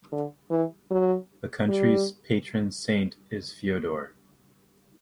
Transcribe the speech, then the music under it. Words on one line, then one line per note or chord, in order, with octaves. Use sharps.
The country's patron saint is Fyodor.
D3
E3
F#3
G3